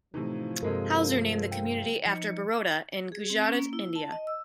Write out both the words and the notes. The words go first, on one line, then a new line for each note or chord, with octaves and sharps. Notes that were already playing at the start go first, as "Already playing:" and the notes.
Houser named the community after Baroda in Gujarat, India.
A2 C3 E3 F3 D#4
G2 C3 G#3 A#3 A4 A#4
A#4 F5 G5
F3 D#4 C#7
G#4
C4
C#4
A#3
E4
A5
D#5
E6